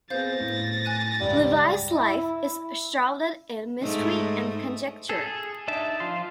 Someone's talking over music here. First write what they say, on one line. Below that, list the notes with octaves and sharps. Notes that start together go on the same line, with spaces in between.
Levi's life is shrouded in mystery and conjecture.
B3 C4 G#4 C5 F5 G6 A6 A#6
A2
G#5 F#6 D#7
C#2 G2 G3
E4
G#2 A3 D#4
G#4 A4
G#4
D4 D#4 E5 A5
F3 F4 C6